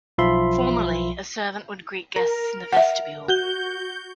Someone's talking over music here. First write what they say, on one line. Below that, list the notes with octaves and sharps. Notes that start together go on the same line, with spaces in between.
Formerly, a servant would greet guests in the Vestibule.
B1 F3 F4 E5 B5 C6
A#4
E5 F#5
F#4 G6 G7